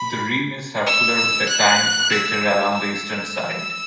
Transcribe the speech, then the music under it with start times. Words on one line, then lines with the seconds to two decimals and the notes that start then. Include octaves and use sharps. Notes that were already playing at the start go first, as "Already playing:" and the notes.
The rim is circular with a tiny crater along the eastern side.
Already playing: B5
0.87 E6
1.49 F#6
2.11 E6
2.75 E6